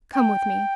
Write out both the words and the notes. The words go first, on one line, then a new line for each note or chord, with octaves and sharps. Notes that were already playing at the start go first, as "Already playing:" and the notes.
Come with me.
G5